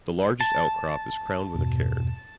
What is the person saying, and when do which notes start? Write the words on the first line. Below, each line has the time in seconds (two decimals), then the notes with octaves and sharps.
The largest outcrop is crowned with a cairn.
0.41 A5
1.55 E2 G2 B2